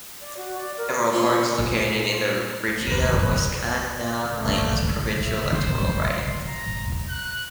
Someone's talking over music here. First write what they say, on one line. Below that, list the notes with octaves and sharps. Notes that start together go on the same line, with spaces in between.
Emerald Park is located in the Regina Wascana Plains provincial electoral riding.
D5
F#4
D5
A#4
A#2 C#4 C5 C#5 G#5 C#6
C2 A#4 B4
B2 A3 A#3 C#4
E5
C5
C6
A#5
F#6